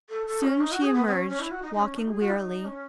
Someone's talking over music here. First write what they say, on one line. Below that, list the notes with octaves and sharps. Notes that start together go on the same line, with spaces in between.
Soon she emerged, walking wearily.
A4
A4
C#4
D#4
F#4
G#4
B3
B3
C#4
C#4
E4
F#4
D#4
D#4
C#4
D#4
G#4
F#4
D#4
C#4